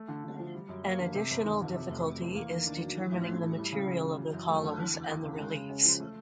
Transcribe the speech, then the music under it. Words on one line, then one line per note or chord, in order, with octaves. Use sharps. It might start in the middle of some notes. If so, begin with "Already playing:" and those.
An additional difficulty is determining the material of the columns and the reliefs.
Already playing: A3
D3
D3
F3
G3
F#2
A#3
D3
C3
G1
D#3
F2
C3
F1
F1
E2
A#3
D#3
D4
F#3
E3
A1
A3
A2
G3
C#3
C#3
E3
F#3
F#2
A3
D3
E3
E2
E2
C#3
G#3
C#3
C#4
F3
A3